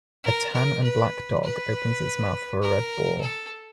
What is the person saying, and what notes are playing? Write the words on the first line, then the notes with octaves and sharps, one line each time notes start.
A tan and black dog opens its mouth for a red ball.
A#4
A#4
B4
B4
A#4
A4